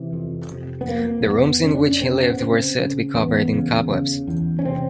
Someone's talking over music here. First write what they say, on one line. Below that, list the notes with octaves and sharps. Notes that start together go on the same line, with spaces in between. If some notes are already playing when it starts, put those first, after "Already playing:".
The rooms in which he lived were said to be covered in cobwebs.
Already playing: C3 E3
F2
C3
B3
F2 A#3
F2 B3
C#3 C#4
D4
C#4
C#3 C4
B3
C#3 C4
C#3
E2 B3
C#3
C#3
E2
C#4
C3 C4